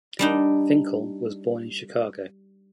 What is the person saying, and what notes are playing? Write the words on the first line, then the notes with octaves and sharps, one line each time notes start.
Finkel was born in Chicago.
G3 D4 D#4